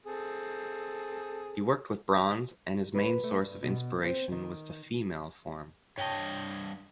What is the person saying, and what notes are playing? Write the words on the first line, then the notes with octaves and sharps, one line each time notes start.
He worked with bronze and his main source of inspiration was the female form.
C4 G#4 A4
B4
A3
G2
B2
C4
D#3
G2 C#5 D#5 G5 A5